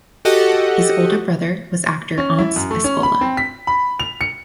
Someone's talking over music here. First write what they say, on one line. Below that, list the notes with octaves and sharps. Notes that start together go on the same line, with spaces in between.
His older brother was actor Ants Eskola.
F#4 G4 A4 D#5 F#5
C#4
E4
F#2
A3
C#4
B5
C4
B6
B5
F7
C#7